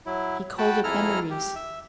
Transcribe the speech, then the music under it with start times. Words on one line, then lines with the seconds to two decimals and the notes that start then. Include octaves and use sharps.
He called up memories.
0.06 F#3 E4
0.58 F#4 G5 A5 B5
0.84 F2 E4 G#4 A4 A#5 F6
1.30 G4
1.56 E5